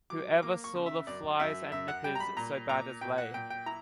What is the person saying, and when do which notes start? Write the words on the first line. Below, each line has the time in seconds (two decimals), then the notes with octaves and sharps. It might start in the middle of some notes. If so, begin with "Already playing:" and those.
Who ever saw the flies and nippers so bad as they?
0.10 F#3 D6
0.42 A#3 D6
0.64 C#6
0.75 C#3
0.86 E5
1.07 F#2 D5
1.40 F#2 E5
1.72 F#2 E5
1.88 F#5
2.04 G3 G5
2.15 A#5
2.20 B5
2.37 A#2 A#5
2.69 A#2 A#5
3.01 A#2 G5
3.18 F#5
3.34 A#2 G5
3.50 G5
3.66 E4 A#5